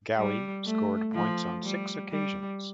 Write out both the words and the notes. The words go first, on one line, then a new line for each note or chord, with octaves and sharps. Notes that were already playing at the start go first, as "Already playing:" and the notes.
Galli scored points on six occasions.
G3
A3
F3
G3
G3